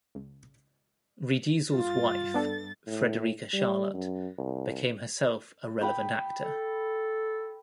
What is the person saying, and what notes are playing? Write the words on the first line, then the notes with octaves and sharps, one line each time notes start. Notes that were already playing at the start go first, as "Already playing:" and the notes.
Riedesel's wife, Frederika Charlotte, became herself a relevant actor.
C#2
G2 F4 A6
B3 D4 A4
A2
G3
F#2
C2
G5 B5 D#6
A4